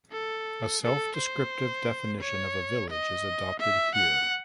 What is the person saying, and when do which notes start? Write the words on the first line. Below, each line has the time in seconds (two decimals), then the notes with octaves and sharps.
A self-descriptive definition of a village is adopted here.
0.12 A4
0.82 A4
1.17 C5
2.21 C#5
2.90 D#5
3.60 E5
3.95 F#5